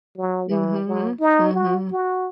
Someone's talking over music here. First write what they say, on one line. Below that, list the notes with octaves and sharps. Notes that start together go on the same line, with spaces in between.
Mhm, mhm.
F#3
E3
F#3
D#4
F#4
F#4